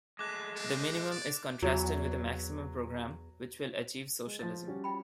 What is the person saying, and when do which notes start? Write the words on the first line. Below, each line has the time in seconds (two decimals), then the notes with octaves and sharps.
The minimum is contrasted with a maximum programme, which will achieve socialism.
0.19 G#3 A3 D6 F#6
0.56 C4
1.11 D5
1.62 E2 F#3
4.26 G#3
4.39 F3 A6
4.68 G3 C#4 F#4
4.84 F4 G5 B5